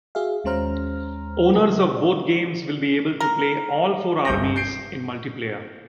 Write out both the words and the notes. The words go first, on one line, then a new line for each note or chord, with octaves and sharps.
Owners of both games will be able to play all four armies in multiplayer.
F#4 G#4 E5 F5
D#2 G#3 C#4 C5 A#5 F6
C#3 F#3 A#4
D5
A#4
G1 G6 A#6
G6 C7 D7